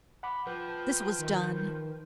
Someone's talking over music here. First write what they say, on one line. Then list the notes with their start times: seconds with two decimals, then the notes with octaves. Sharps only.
This was done.
0.23 F#5 B5 D6
0.47 F3 B4 G5
1.18 D#3